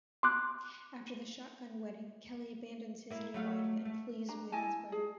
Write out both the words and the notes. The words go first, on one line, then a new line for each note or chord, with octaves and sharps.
After the shotgun wedding, Kelly abandons his new wife and flees with his brother.
C6 D6 F#6
A#3 E4
F#3 A3 F5
A3
D4 A#5
E4 D#5 G#5 A5
G#4